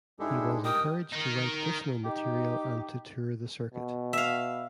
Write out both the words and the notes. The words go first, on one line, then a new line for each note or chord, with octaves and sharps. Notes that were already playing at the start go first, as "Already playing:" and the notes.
He was encouraged to write additional material and to tour the circuit.
G#2 G#3 D4 E4 G4 A4
G4 A#4 D#5 G5 D#6
D#4 A#4
D#4 G4
B2
E5 F5